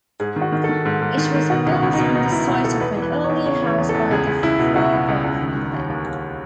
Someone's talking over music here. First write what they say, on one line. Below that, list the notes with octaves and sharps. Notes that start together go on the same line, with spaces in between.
It was built on the site of an earlier house by the Furtho family.
G#2 G#4
D#3
F#4
D#3
A4
D#3
G#2
G#2
D#3
D#3
B2 F#4
C#2
F#4
C#2
D#4
B2
B2 D#4
B2 E4
B2 F#4
B2 A4
E2 B4
E3
B4
E2
C#5
E2
C#3 C#5
E3 C#5
E2
A4
E2
C#2 G#4
C#2
C#2 E4
B2
C#2 F#4
C#2
C#2
C#2
D#3
D#3
D#2
D#2
D#2